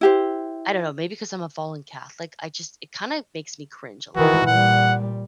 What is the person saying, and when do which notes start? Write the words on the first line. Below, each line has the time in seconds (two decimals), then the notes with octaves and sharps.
I don't know, maybe 'cause I'm a fallen Catholic, I just it kinda makes me cringe a little.
0.01 E4 G4 C5
4.16 D#3 E3 F#4
4.46 A#2 G3 F#5